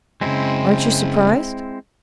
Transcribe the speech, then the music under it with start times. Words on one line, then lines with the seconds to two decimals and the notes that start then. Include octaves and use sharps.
"Aren't you surprised?"
0.21 F#2 C#3 G#3 C4 E4